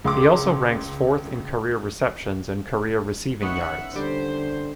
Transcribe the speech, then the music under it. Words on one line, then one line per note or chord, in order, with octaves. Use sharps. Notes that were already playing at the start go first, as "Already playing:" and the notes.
He also ranks fourth in career receptions and career receiving yards.
C#2 C6 D6
B3 C#4 D#4 E5 F#5
D3 G3 G4 C5